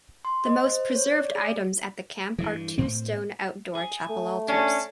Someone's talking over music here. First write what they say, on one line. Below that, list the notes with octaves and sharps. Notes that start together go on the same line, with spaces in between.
The most preserved items at the camp are two stone outdoor chapel altars.
C6
D#5
C5
C#5
D5
G#4
G2 E3
A2 C4
G#4
A3
C#4 D4